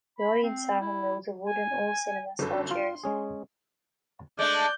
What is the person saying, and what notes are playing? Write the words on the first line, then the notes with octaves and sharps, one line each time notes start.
The audience sat on rows of wooden old cinema-style chairs.
B5
C4
E4
G#5
G1 F#2 A4
F4 C6
G#3 C#4 G#4
G#3 A3 D4 D5 F#6 G6